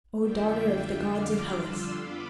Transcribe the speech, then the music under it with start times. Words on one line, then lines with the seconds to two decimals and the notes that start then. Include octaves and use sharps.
Oh, daughter of the gods of Hellas!
0.19 F2 D3 G3 D4 F4 E5 G5
1.09 D6 F6
1.53 C6 E6
1.98 B3 F4 B5 D6